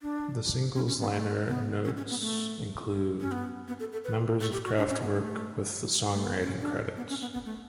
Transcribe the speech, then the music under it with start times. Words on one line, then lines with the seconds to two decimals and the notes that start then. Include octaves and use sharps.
The single's liner notes include members of Kraftwerk with the songwriting credits.
0.02 D4
0.76 C#4
0.88 C#4
1.00 B3
1.12 A3
1.48 B3
1.85 C#4
1.97 C#4
2.10 B3
2.21 A3
3.20 C#4
3.31 B3
3.68 B3
3.80 A4
3.93 A4
4.04 B4
4.41 A4
4.53 G4
4.65 F#4
4.77 D4
4.90 C#4
5.02 B3
5.13 A3
6.12 A3
6.24 B3
6.42 C#4
6.60 D4
6.97 B3
7.09 C#4
7.21 B3
7.33 B3
7.45 A3